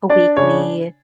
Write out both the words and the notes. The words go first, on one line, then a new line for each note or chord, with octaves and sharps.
a weekly,
D4 D5
C#3 C#5